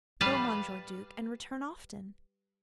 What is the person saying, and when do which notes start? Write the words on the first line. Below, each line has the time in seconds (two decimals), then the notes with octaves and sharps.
Go, Monsieur Duke, and return often.
0.21 G3 B4 F5 A5